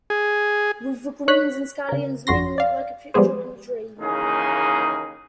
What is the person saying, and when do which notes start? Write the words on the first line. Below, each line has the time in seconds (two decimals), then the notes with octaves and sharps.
With the greens and scallions mingled like a picture in a dream.
0.10 G#4
1.28 D4 C#5 F#6 B6
1.89 C#3 A#4
2.27 G1 F2 F#4 C6 A#6
2.58 D5 F5
3.14 F3 G3 G#3 B3 G#4 C5
4.00 D#2 C#3 E3 A#3 D#4 G#4